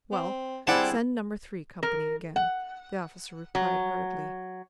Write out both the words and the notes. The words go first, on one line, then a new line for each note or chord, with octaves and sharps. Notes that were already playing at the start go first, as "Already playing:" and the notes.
"Well, send number three company again," the officer replied hurriedly.
C4
G3 C4 E4 G#4 D5 F#5 A5
A#4
F#5
F#3